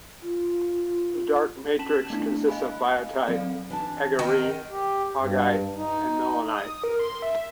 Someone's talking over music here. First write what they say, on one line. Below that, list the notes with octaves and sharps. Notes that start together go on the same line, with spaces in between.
The dark matrix consists of biotite, aegirine-augite and melanite.
F4
C#4 A5 B6 E7 F#7
A3 B3 D4 E4
D#5 F5 G#5 B5 F#6
F#3 C4 A4 D5 F5
E3 D4 A5
D#3 B3 D#5
G4
G2
D#4
D#6
A#4
C6
E5